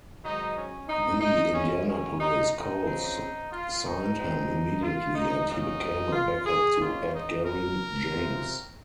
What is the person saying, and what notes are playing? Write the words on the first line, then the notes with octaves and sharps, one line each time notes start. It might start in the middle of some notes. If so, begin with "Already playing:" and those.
The Indianapolis Colts signed him immediately, and he became a backup to Edgerrin James.
G#2 D#3 F#3 D#4
C#4
D#4
D#4
F#2 C#3 G#3 C#4
C#4
D#4
D#4
C#3 F3 C4
F4
D#4
A#2 G#3 C4
F4
D#4
G#2 F#3 A#3 C#4 D#4
F4
G#4
G#2 D#3 A#3 C#4 F4
D#4
A#4
C3 F3 C4